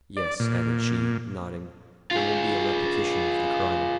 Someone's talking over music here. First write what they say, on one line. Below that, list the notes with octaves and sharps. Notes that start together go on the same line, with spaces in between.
Yes," added she, nodding, "there will be a repetition of the crime.
D5
A#2
F4 G#4